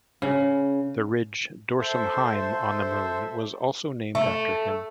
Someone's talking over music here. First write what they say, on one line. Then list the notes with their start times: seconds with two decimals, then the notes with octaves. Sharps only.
The ridge Dorsum Heim on the Moon was also named after him.
0.22 C#3
1.80 A4 C5 E5
4.15 A3